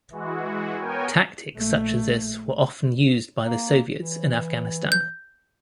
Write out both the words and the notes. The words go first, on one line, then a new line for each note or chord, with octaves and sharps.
Tactics such as this were often used by the Soviets in Afghanistan.
E3 G#3 F#4
B3 A#4 C#5 G5 G#5
A#1 A3
A#3
E3
G6